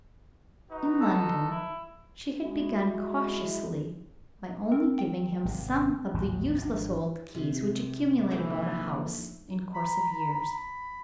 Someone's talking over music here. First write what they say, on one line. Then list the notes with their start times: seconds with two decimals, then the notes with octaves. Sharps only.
In London, she had begun cautiously by only giving him some of the useless old keys which accumulate about a house in course of years.
0.70 D#4 F#4 B4
1.01 A4
1.51 E4
2.42 G#3 E4 F#4
4.72 C4 A#4
4.98 G5
5.45 G#1 C3
6.14 A1 D#2 G#2
6.59 G#1 F3 D4
7.35 C3
8.31 A#1 E3 A3 D#4 G#4
9.74 A#5 B5